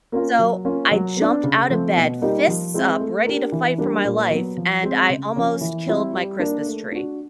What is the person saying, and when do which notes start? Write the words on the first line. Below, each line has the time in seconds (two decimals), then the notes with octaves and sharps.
so I jumped out of bed, fists up, ready to fight for my life, and I almost killed my Christmas tree.
0.12 A#3 C#4 F4 A#4
0.39 F#3
0.65 A#3 C#4 F4
0.91 F#3
1.17 B3 D4
1.43 C#3
1.70 F3 A3 C4
1.96 B2
2.22 G3 A#3 D#4 G4
2.47 F3
2.74 G#3 C4 E4
3.00 A3
3.26 D4 G4 A#4
3.52 E3
3.78 G3 A#3 D4
4.05 A#2
4.30 F#3 B3
4.57 F3
4.83 G#3 C4
5.09 C#3
5.36 F3 A#3 C#4 F4
5.61 E3
5.88 G3 C4 E4
6.13 G3
6.39 A#3 D4
6.66 A3
6.92 D4 F#4